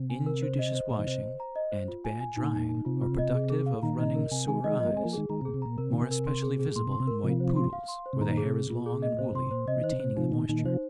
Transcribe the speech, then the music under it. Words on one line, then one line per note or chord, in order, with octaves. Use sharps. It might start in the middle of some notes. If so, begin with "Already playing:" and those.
Injudicious washing and bad drying are productive of running sore eyes, more especially visible in white poodles, where the hair is long and woolly, retaining the moisture.
Already playing: C3
G#5
A#4
C5
D#5
C5
A#2 D#5
D#3
C3 C5
C5
A#5
D#5
C5
F4
G#5
G#5
A#2 D#4
D#4
D#4
C3 F4
F4
D#5
G#4
G#4
F5
A#2 D#3 A#5
D#5
A#4
C3 G#5
D#3 G#3 G#5
D#3 G#3 D#5
F3 A#3 D#5
G#3 C4 G#5
F3 A#3
D#3 G#3 G#4
D#3 G#3 A#5
C3
A#2 G#4
C3
A#2 A#5
C3 A#4
D#3 G#5
C3
A#4
C6
G#4
G#4
A#2 C6
C3
C6
C3
A#4
C3 F3 F4
C5
C6
F5
C6
C5
C3
A#2 D#3 A#5
G#4
C3
G#4
A#2 F4
G#4
D#5
A#2 C5
C3 C6
A#2 C5
C3 D#5
D#3 C5
C3
C5
C3 F3 D#4
A#2 D#3 D#4
A#2 D#3 D#4
C3 F3 C5